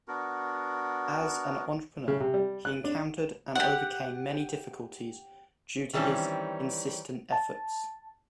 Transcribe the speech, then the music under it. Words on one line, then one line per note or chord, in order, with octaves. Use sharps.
As an entrepreneur, he encountered and overcame many difficulties, due to his insistent efforts.
B3 D4 F#4 A#4
C#3
C3
G3
F#6
D4
G4 F#5
D#3 E3 G3 C4 C#4
A5